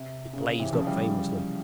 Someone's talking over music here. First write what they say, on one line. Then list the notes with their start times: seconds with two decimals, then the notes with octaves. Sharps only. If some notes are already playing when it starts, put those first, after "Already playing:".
It blazed up famously.
Already playing: C3
0.33 C#3
0.46 C#3
0.60 C3 E3
0.73 C#3 F3
0.87 E3 G3